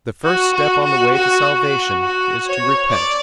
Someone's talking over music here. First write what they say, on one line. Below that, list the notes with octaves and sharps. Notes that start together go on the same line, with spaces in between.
The first step on the way to salvation is to repent.
F#4
F#4
F#4
F#4
F#4
F#4
C#5
D5